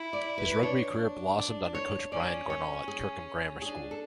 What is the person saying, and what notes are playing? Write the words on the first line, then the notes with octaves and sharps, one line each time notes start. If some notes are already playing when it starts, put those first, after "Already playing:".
His rugby career blossomed under coach Brian Gornall at Kirkham Grammar School.
Already playing: E4
D5
B4
B4
D4 C#5
D5
C#5
C#4 D5
C#5
G#4
D4 G#4
A4